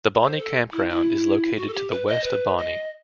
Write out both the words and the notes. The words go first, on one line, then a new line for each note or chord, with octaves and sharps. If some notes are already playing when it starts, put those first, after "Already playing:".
The Bonnie Campground is located to the west of Bonnie.
C5
A4
E4
E4
F#4
A4
G4
B4
D#5
B4
D#5